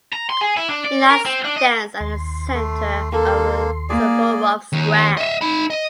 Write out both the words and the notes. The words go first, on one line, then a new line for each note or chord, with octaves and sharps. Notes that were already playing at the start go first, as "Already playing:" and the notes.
It now stands at the centre of Suvorov Square.
A#5
C6
G#4
E4
D4
D5
A#4
C4
D4
D#5
D#2 C6
A3
A#3 A4
A#3 G#4 D5
D#2
D#5 E5
D#4 B5
D#5